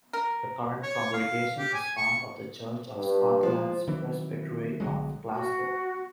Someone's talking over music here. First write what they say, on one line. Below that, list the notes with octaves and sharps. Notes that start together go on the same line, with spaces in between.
The current congregation is part of the Church of Scotland's Presbytery of Glasgow.
A#4
C#5
F5
G4
G#5
C#6
G2
F3 G#3
D#3 E3 F#3 C4
B1 D3 F#3 G#3
F#4